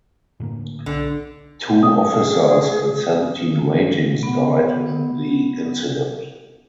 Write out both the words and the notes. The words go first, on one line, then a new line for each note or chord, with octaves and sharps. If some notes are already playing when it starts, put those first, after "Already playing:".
Two officers and seventeen ratings died in the incident.
A2 D3 A#3
B1 D3
D#6
G#4
B3 F#5